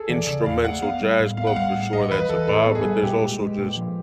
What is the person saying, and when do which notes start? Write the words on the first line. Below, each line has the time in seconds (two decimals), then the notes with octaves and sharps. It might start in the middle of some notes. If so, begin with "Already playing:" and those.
instrumental jazz club, for sure, that's a vibe, but there's also just
Already playing: G#4 A4
0.09 E3 D5
0.27 C#3 D5
0.46 E2 F5
0.64 A3 F#5
0.82 B3 F5
1.01 G3
1.20 A2
1.37 B3 F5
1.47 F#5
1.56 G3 F5
1.74 A2
1.93 G3 D#5
2.11 E3 B4
2.29 E3 A4
2.48 A2 A4
2.66 B3
2.75 G#4
2.85 G3
3.03 A#2 G4
3.21 G#3
3.40 G#3
3.58 A#2
3.77 F3